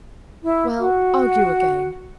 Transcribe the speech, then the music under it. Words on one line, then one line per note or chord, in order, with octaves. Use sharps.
"Well, argue again."
E4
F#4